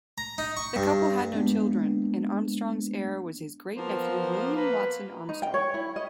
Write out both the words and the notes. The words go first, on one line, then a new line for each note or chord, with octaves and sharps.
The couple had no children, and Armstrong's heir was his great-nephew William Watson-Armstrong.
A#5
D#4
C#6
G2
G#3 A#3 B3 D4
F3 A#3 B3 C5
A#3 B4
D#4
G5
C#5
E4
D#5